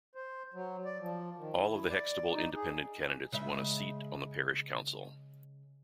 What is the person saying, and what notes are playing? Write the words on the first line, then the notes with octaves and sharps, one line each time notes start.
All of the Hextable Independent candidates won a seat on the Parish Council.
C5
F#3
D5
F3
D#3
E4
D5
D#4
G#4
C#3 G#3 E5